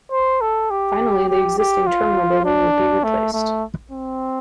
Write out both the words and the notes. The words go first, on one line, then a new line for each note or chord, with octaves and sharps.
Finally the existing terminal building would be replaced.
C5
A4
G4
G4
G4
F4
D4
A3
A3
C4